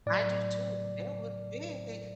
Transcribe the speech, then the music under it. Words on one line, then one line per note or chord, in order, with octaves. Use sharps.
I do, too. The bear was big,
A2 F#3 D5